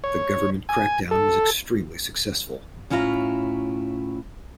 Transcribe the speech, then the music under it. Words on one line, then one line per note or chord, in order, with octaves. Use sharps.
The government crackdown was extremely successful.
C#5
G#5
A4
A2 C#4 E4 F4 D#5 A#5